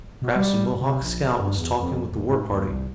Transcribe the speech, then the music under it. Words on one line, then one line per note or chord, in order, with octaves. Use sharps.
"Perhaps a Mohawk scout was talking with the war-party."
B2
G3
C3
A#1
G2
E2
F2
D#2
G#2
D#2
C2